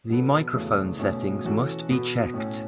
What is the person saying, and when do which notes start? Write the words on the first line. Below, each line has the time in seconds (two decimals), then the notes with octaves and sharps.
The microphone settings must be checked.
0.10 B2 F#3 B3 A4
0.54 E2 C#3 A3 F#4
0.99 B2 A3 C#4 F#4
1.45 E3 C#4 F#4 A4
1.89 B2 B3 F#4
2.34 A2 A3 C#4